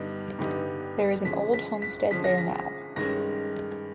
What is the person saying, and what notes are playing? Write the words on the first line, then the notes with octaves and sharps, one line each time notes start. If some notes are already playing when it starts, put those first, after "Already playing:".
There is an old homestead there now.
Already playing: G2 D3 G3 B3 D#4
G2 D3 G3 B3 D#4
D3 F3 G#3 C#4 B6
B6
B6
D3 F3 G#3 C#4 B6
A#6
B6
G2 D#3 G#3 C#4 A#6